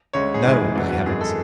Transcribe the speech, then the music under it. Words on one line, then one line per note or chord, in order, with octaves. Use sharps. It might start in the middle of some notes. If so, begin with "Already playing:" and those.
No! by heavens!
D2 C#3 G#3 C#5
G#4
A1 G#2 E3 G#3 G#4
E2 D3 F#3
F#4
G#1 F#2 E3 G#3 G#4
A4